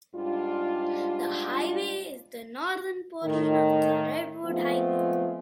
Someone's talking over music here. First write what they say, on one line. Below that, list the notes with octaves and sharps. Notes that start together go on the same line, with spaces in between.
The highway is the northern portion of the Redwood Highway.
G#2 G3 D4 F4
A2 D#3
F3 G#3 A3 B3 C4 F4